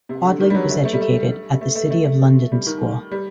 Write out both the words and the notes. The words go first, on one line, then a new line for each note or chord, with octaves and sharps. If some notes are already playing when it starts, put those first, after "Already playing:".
Quadling was educated at the City of London School.
C3
D3
D#3
G3
F#3
A3
A3
G3
A3
A3
A3
A3
G3
D#3
G3